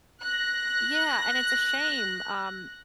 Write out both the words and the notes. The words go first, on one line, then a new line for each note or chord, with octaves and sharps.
yeah, and it's a shame, um,
F#6 A#6